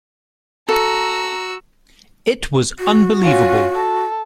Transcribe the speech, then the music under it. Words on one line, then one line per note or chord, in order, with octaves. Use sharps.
It was unbelievable.
F#4 A4 A#5 E6
F#4
C#4 F4
A4